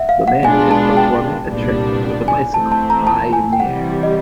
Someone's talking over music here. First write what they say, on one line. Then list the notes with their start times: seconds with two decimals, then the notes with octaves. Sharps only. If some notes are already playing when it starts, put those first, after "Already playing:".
The man is performing a trick with a bicycle high in the air.
Already playing: E5 F#5
0.09 F5
0.28 F#5
0.44 B2 G#3 B3 D4 F4 G#5
0.71 A5
0.97 G5
1.49 C2 A#2 G3 B3 D4
2.28 G#5
2.54 E3 A3 C4 A5
2.72 A5
2.90 A#5
3.07 A5
3.33 G#5
3.53 G5
3.59 C3 E3 G3 F#5
4.03 D#5